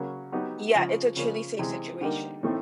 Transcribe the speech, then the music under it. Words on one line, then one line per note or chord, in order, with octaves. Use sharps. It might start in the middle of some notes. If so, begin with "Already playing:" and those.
Yeah. It's a truly safe situation.
Already playing: C#3 F#3 A#3
F#3 B3 D#4 G4
C#3 F3 G#3
C#3 F3 A#3 C#4
C3 E3 G#3
D3 G3 A#3 D#4
A2 E3 A3 C4 D#4